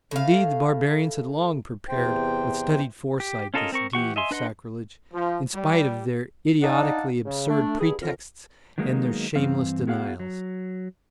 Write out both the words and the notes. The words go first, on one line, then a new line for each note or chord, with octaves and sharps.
Indeed the barbarians had long prepared with studied foresight this deed of sacrilege, in spite of their idiotically absurd pretexts and their shameless denials.
A2 F5
E2 C3 C5 G5
G4
C#4 F4 A4 A#4 D#5
C4 A#4 C#6
E3 G4 F#5 C#6
D#5 E5 G#5 C6
D4 B4 D#5 F#5 C6
F3
G3
D4 D#4 D5 F5 F#5 A5
C#3
A3 D4
G2 E4 G#4
F2 D3 A#4
D#3 F#3 G#3 A#3 B3 D#4
G2 E3 C4 F5
B3 E4 F#4 G#4 F5 F#5
F#3